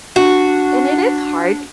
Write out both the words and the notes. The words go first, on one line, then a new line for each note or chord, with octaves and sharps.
And it is hard
D4 F#4